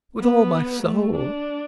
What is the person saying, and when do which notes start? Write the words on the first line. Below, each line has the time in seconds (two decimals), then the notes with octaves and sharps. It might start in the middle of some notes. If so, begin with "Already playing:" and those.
"With all my soul."
0.19 B3
0.83 A3
1.15 D4